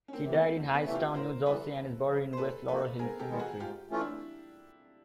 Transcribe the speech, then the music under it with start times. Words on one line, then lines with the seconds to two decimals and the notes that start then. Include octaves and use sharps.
She died in Hightstown, New Jersey and is buried in West Laurel Hill Cemetery.
0.08 C#4
0.13 A#3 C4
0.23 C3 E3
0.33 A3 B3
0.54 E2
0.74 B3 C#4
0.85 C3 E3 A3
0.95 F4 G4
1.15 A2 A#4 C5
1.45 E3 G3 B3 A4 B4
1.76 D#2
2.07 C#3 F3
2.33 C5
2.37 A#2 A4 B4
2.68 F3 A#3 D#4 F#4 A4 B4
2.98 G#2 G#4 A#4
3.19 G4 A4
3.30 D#3 G#3 B3
3.39 F#4 G#4
3.60 G#2 F4 G4
3.91 E3 A3 C#4 F4
4.01 D4 E4